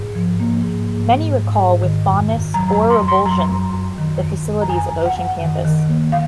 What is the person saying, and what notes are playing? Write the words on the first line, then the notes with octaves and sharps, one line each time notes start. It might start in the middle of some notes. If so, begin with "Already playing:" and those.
Many recall with fondness or revulsion the facilities of Ocean Campus.
Already playing: G#2
F3
A#3
G#2
G#2
G#2
G#2
G#2
D#3
F#2
F#2
F#3 A#5
A#5
F#2
C6
F#2
C6
F#3 A#5
F#2
F#2
D#3
F#2
F#2
A#5
F#2 G#5
F#2
F#5
F#2
D#3
D#3
A#3
F5